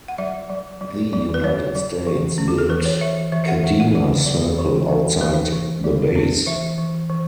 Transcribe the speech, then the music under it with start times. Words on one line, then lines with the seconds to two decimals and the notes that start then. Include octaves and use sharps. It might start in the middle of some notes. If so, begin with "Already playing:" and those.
The United States built Kadena Circle outside the base.
0.08 F#5
0.18 F#3 E5
0.49 F#3
0.81 F#3
1.13 F#3
1.34 B4
1.44 F#3 C#5
1.75 F#3
2.07 E3
2.38 C#4
2.48 F#4
2.58 A4
2.69 E3 B4
2.85 C#5
3.01 E3 E5
3.32 E3 E5
3.44 E5
3.48 F#5
3.64 E3 E5
3.80 F#5
3.95 F#3
4.26 F#3
4.59 E3
4.89 E3
5.21 E3 B4
5.53 E3
5.84 F#3
6.16 C#4
6.46 E3 E5
6.78 E3
7.10 E3